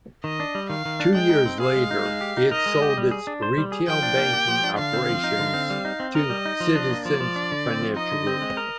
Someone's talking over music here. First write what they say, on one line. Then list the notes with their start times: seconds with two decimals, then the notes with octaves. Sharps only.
Two years later, it sold its retail banking operations to Citizens Financial Group.
0.24 D#3 D#5
0.40 D4
0.55 G3
0.70 D#3 F5
0.85 D#3
1.00 D4
1.15 G#3 G5
1.30 D#4
1.45 C4
1.60 G#4 F5
1.76 G#3
1.91 D#4
2.06 G#3
2.21 G4
2.37 D#4
2.51 A#4 D#5
2.66 G#3
2.82 G4
2.97 G3
3.11 G#4
3.27 D4
3.42 C5
3.58 G3
3.72 G#4
3.88 F3 G5
4.03 D4
4.17 A#3
4.33 G4
4.48 F3
4.64 D4
4.79 D3 F5
4.93 C4
5.09 F3
5.24 D#4
5.40 D3
5.54 C4
5.70 G3
5.85 D#4
6.00 C4
6.15 A#4 D#5
6.30 G3
6.46 D#4
6.60 F3
6.75 D4
6.90 A#3
7.05 F3 D5
7.20 F3
7.36 D4
7.52 D3
7.66 C4
7.81 F3
7.96 D#4 D#5
8.12 D3
8.27 C4
8.41 G#3
8.57 A#4